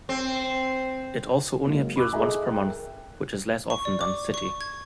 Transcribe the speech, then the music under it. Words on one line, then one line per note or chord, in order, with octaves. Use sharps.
It also only appears once per month, which is less often than "City".
C4
C#3 F#3 G#3 A#3 C#4
B5 C#6 D6 E6 F#6
G#4 A4 D#5 E5 G#5 A#5
G5
A#4
C#6
D5
D6
C#6
G#6